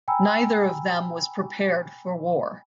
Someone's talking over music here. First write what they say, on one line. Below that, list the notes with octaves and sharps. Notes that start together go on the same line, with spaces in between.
Neither of them was prepared for war.
G5 G#5 A#5 B5 E6